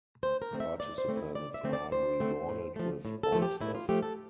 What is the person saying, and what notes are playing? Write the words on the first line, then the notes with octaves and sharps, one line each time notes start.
Participants are rewarded with oysters.
D2 C5
A#4
D3 A3 C4
E5
D2 D5
C5
D3 A3 C4
E4
D2 D5
E5
D3 A3 C4
D5
D2 C5
D3 A3 C4
A2
F3 A3
A2
A4
F3 A3
G4
A2 E4
F4
F3 A3 G4
A4